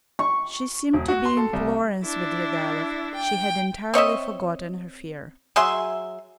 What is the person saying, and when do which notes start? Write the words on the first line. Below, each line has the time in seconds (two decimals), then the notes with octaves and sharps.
She seemed to be imploring Svidrigailov; she had entirely forgotten her fear.
0.19 C#6
0.93 E1
1.08 F#4
1.25 C6
1.37 A4
1.53 C2
2.04 D4 E4
3.15 G5
3.94 C4 C#5 D#5 E5
5.56 F#3 G#4 E5 C6